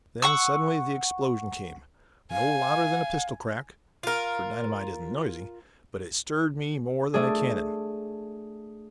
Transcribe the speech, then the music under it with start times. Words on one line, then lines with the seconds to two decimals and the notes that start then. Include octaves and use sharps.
Then suddenly the explosion came--no louder than a pistol-crack, for dynamite isn't noisy, but it stirred me more than a cannon.
0.22 F#5 C#6 E6
2.32 F5 G#5
4.03 F4 A#4
7.14 A3 D4 G#4